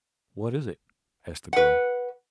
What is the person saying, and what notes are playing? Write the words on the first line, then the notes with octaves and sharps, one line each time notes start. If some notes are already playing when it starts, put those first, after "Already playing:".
"What is it?" asked the girl.
B4 F#5